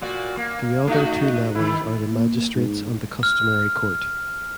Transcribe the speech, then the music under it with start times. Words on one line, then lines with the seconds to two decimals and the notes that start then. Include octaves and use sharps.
The other two levels are the Magistrates and the Customary Court.
0.01 A#2 F#4 D5
0.37 A#3
0.87 A3 D#4 F#4
1.55 D#3 E4
2.12 A#3
2.54 G#2
3.23 F6